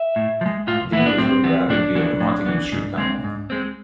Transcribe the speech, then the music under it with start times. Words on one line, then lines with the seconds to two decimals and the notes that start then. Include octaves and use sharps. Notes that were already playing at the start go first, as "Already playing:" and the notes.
The was rerouted via the Montague Street Tunnel.
Already playing: E5
0.16 A2
0.41 F3
0.46 G#3
0.67 A2 F4
0.92 E3 B3 E4
1.06 D4
1.18 A2 C4
1.44 E3 B3
1.69 A2 D4
1.95 E3 B3
2.20 A2
2.46 E3 B3
2.72 G#2
2.98 G#3 C4
3.24 G#2
3.50 G#3 C4